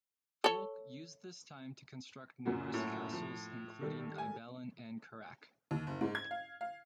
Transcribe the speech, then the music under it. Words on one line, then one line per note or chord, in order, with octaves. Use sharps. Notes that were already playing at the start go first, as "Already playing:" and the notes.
Fulk used this time to construct numerous castles, including Ibelin and Kerak.
A4 C#5
F#2 A#2 F#4
A2
F3
D#3 G3 A4
G#5
D#2
F#1
G#2
G#6
F5
F5